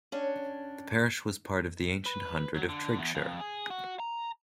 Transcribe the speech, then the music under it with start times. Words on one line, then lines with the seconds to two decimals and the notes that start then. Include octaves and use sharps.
The parish was part of the ancient hundred of Triggshire.
0.12 C#4 D4 G4
2.06 B4
2.55 F#3
2.69 D3
2.98 E2
3.15 F2
3.40 G#4
3.70 F#4
4.00 A#5